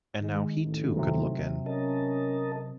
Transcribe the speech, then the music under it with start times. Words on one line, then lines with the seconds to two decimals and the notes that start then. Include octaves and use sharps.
And now he too could look in.
0.21 D#3 G#3
0.63 A1
0.96 C3 F#3
1.66 C#4 A#4 D#5 A5